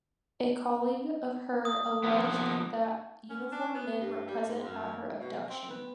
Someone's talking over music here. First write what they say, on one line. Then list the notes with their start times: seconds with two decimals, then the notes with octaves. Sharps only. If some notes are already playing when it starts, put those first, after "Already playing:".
A colleague of her alleged that uniformed men were present at her abduction.
1.65 D#6
2.03 F3 A#3 B3
3.30 C#4
3.52 D4
3.74 B3
4.00 G2
4.27 G3
4.47 G#2
4.64 F#2
5.20 B2
5.50 C4
5.70 B3